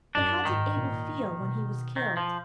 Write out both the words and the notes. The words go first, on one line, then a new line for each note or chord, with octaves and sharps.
But how did Abel feel when he was killed?
F#2 D4
G#2 D#3
A#2
B2
D#3
F3